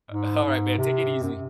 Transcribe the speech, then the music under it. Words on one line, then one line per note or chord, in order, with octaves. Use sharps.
Uh, alright, man, take it easy.
G#2
G#2
C3
F#2